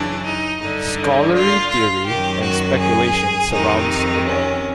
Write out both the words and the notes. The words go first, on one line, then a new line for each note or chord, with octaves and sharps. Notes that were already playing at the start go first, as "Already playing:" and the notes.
Scholarly theory and speculation surrounds the well.
Already playing: F#2 C#3 E3 D4
D#4
G2 D3 D#4
F4
F4
F#2 D#3 G4
F#4
G#4
F2 C3 D#3 D#4
C#4